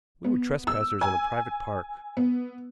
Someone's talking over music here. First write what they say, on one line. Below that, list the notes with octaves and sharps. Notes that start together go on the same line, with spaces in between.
We were trespassers in a private park.
B3
E6
G#5
B3